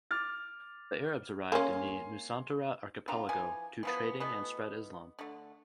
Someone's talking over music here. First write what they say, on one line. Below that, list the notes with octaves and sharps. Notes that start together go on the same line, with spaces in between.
The Arabs arrived in the Nusantara archipelago to trading and spread Islam.
D6 F6 A6
A#3 C#4 G#5 C6
D3 C4 F4 A#5
E3 F3 G#5
E3 F3 B3
B2 E3 A3 B3
D3 A3